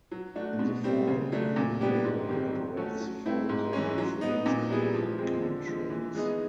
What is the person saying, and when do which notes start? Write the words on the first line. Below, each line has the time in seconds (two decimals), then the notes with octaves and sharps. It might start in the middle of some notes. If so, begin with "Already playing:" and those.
In the fall, the railway operates fall color trains and pumpkin trains.
0.11 F#3
0.35 A3 D4 F#4
0.59 B2
0.84 G3 C4
1.07 C#3
1.32 F#3 A3 D4
1.56 A#2
1.81 G3 B3 D4 G4
2.04 G#2
2.29 D#3 G3 C4
2.53 F#3
2.77 A3 C#4 F#4 A4
3.00 F#3
3.26 A3 C4 E4
3.49 G#2
3.73 E3 G#3 C#4
3.98 F#3
4.21 B3 D#4
4.46 A#2
4.70 G3 B3 E4 G#4
4.94 F3
5.19 G#3 C4
5.42 D3
5.66 F3 G#3
5.90 E3
6.15 G#3 B3 D#4 G#4